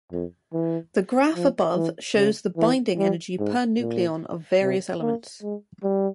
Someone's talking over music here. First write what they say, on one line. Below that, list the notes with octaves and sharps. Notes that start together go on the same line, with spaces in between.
The graph above shows the binding energy per nucleon of various elements.
F2
E3
F3
E3
C#3
E3
G3
G#2
A#2
C3
A#3
G#3
G3